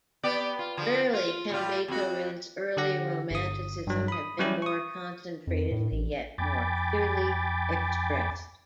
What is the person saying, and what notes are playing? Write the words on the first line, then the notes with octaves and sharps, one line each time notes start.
Rarely can Beethoven's early romanticism have been more concentratedly yet more clearly expressed.
B3 G4 D5
F4
D3 F3
F4
A2 G3 F4
F2 F#4
D3 G4 F#5 A#6
G1 D#6
G2 F#3
B5 D#6
F#3 G3 C#4 E4 G4
C#6 D#6
F2
A2
A1
F2 G5 G#5 B5 D6 A6